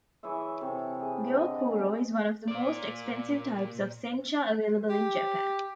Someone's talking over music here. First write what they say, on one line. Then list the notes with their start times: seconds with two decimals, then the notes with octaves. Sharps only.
Gyokuro is one of the most expensive types of sencha available in Japan.
0.23 E3 G#4 C#5 E5
0.61 C3 A4
0.99 G#4
1.31 D3 D#5
2.48 A#2 D5
4.89 G4